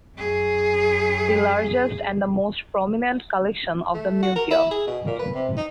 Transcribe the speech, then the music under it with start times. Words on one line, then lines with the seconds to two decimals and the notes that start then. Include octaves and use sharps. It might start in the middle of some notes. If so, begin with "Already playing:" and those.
The largest and the most prominent collection of the museum.
0.16 F#2 G#4
3.94 A3
4.22 F#4
4.36 A#4
4.51 E4
4.71 G#4
4.87 B2
5.06 A#2
5.19 B4
5.35 C3
5.57 D#4